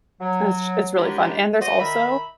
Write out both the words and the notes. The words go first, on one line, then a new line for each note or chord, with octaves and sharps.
it's it’s really fun, and there's also
F#3
D#3 F#3 G#3 D4 E4 G4
F#4 C5 D5 D#5
D#3 E5 B5